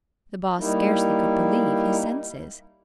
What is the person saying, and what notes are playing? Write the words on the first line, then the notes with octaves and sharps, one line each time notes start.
The Boss scarcely could believe his senses.
G3 A#3 D#4 E4